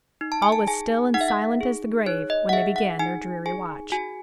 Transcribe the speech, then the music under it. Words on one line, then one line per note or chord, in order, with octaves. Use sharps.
All was still and silent as the grave when they began their dreary watch.
D#4
A5
G#5
A5
G#4 G#5
D#4 F#5
E5
F#5
G#4
D#4 C#5
D#5
F#5
G#4 E5
F#5
D#4 G#5
G#4 G#5
F#4 G#5